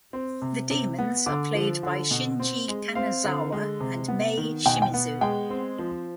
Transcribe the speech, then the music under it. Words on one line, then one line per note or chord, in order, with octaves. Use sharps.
The demons are played by Shinji Kanazawa and Mai Shimizu.
C4
C3
C3
B3
D3 D6
F3
D3
B2
C4
G#3
C4 F5
D3
G#3
C3
B3
D#3
B2 G5
G#5
G5
B3
G#3 G5
C4
F3